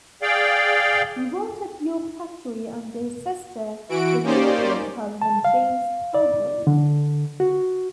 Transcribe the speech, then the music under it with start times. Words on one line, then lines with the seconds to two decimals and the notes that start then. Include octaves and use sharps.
He worked at York Factory under his sister Letitia's husband James Hargrave.
0.22 G#4 D5 F5 G5
3.89 E3 F#4 D7
4.23 A#3 C#4 D#4 G4 C5 D5
5.22 A5
5.45 F5
6.14 D5
6.67 D3
7.40 F#4